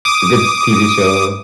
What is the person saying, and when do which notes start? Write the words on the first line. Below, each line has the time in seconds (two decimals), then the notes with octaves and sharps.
a good TV show,
0.05 D6 D#6